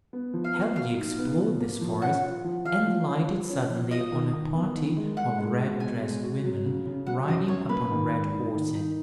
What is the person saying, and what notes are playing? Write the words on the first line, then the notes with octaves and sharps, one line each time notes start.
Helgi explored this forest, and lighted suddenly on a party of red-dressed women riding upon red horses.
B3
F3
F5
B3
F#4 F5
D#4
B3
F3
A#3
F3
C#4 F#5
F4
F3
F3 F5
F3
C#4
F3
C#4
F3
F4 D#5
D#3
D#3
B3
D#3
G#3
G#3 F#5
G#3
F#4
B2 G#5
G#3
F#4
F#3
C#3
C#3
F#3 F#5
F#2 D#5
F#2 C#5
A#3 B4
D#3
G#2
D#4
D#3
D#4